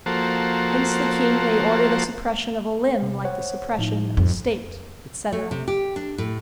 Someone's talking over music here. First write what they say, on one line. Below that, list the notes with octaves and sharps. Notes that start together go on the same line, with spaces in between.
Hence the king may order the suppression of a limb like the suppression of a state, etc.
F3 A#3 F#4 A4 C5
C3
C5 C#5 F#5
A2 F3 D#4
F2
A3
C3
G4
D4
A2